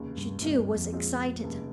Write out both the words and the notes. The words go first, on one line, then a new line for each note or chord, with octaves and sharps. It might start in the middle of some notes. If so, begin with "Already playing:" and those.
She, too, was excited.
Already playing: F1 D#2 C#3
G2
C2 G2 C3 D#3 A#3
G2
F2
A#2 G#3 C4 F4
F1 D#2 C#3